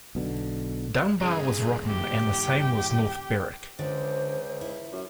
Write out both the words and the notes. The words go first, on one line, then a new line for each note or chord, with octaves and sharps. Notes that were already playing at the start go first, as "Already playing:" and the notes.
Dunbar was Rotten and the same was North Berwick.
B1 B2 D3
G2 C#3 G#4
G4 G5
C#2 D3 C5
E4
F#2